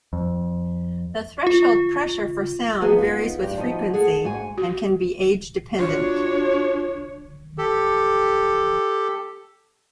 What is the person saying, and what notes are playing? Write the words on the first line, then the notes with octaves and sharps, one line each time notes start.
The threshold pressure for sound varies with frequency and can be age-dependent.
F2
F4
F3 F#3 B3 G#4 B4 D#5
B3 D#4 F4
G2 G4
F3 D#4 F#4 D#5
G#4 A4 F#5 A5
G#2 F#4 G#5
F#4
D4 F4 F#4 C#5
G4 A4